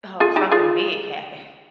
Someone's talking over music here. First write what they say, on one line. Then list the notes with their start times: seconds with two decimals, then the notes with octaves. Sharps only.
Oh, something big happened,
0.20 F4 G#4
0.36 D#4 G4
0.51 F4 G#4